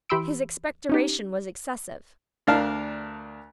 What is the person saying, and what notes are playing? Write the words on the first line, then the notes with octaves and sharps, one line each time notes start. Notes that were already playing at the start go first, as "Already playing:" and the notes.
His expectoration was excessive.
E3 G4 B5 C6 E6 D7
C#4 D#4 G4
D2 D4 A#4 F5 A5